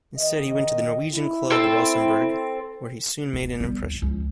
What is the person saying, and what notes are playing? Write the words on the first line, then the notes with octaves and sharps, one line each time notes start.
Instead, he went to the Norwegian club Rosenborg, where he soon made an impression.
D#3 D#5
E4
C4 A4
D1
G3 B3
D#2
C#2 F3